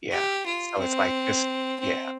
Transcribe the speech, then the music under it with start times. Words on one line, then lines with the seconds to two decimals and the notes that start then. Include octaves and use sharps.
Yeah. So it's like just yeah.
0.12 G4
0.46 F4
0.79 C4
1.80 C4